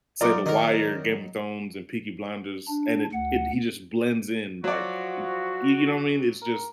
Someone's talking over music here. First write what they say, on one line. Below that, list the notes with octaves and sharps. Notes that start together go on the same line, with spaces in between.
say, The Wire, Game of Thrones, and Peaky Blinders, and it it he just blends in, like, m you you know what I mean? It's just
F#2 D#4 F4 A#4 D5 D6
D#3 F#3 D#4 A#4
D4
D2 F#5
F3 F#3 F#4 D5
A#4